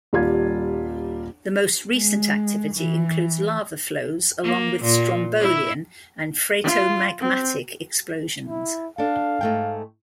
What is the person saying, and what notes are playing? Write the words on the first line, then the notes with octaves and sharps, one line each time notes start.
The most recent activity includes lava flows along with strombolian and phreatomagmatic explosions.
D#1 G3 F4 G#6
G#3
E3
A#3
A#2
E4
F4
C4
E4
D4 A4 F5
G#2 A3 G5